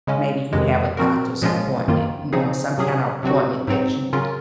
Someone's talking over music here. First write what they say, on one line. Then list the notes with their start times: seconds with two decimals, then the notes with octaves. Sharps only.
maybe you have a doctor's appointment, you know, some kinda appointment that you
0.07 C#3 G#3 C#4
0.53 F2 C3 D#3 G#3
0.97 F3 C4 F#4 A#4
1.42 A#2 F3 G#3 C#4 F4
1.88 F#2 D#3 A#3 F4
2.33 C#3 F3 C4 D#4 G#4
2.78 C3 F#3 C#4 G#4
3.23 C3 F#3 C4 F#4
3.67 G#2 F#3 C4
4.13 C#3 F#3 C#4 F4 A#4